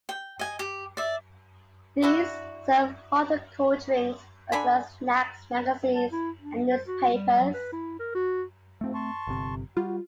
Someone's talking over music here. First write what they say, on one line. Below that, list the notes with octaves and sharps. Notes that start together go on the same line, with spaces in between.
These serve hot and cold drinks as well as snacks, magazines and newspapers.
G5
D#5 G#5
G4
D5 E5
D4 E4 F#4
D3 D4 G#5 B5
A5
E4
D4
C5
F#4
G3
F#3
B4
E4
A#4
F#4
G#2 F3 A3 C4
A5 C6 C#6
G1 C3
G3 F4 F#4